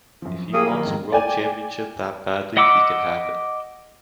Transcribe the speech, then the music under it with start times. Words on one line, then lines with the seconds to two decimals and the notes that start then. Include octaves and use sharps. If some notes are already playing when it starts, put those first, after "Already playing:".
If he wants the world championship that badly he can have it.
0.22 F#2 F3
0.53 A#3 G4 G#4 E5 D#6
0.67 D#3 F#3 G4 B5
0.85 A1 F2 G#2
1.12 D5 G5 G#5
2.57 D#5 F#5 B5 D6 E6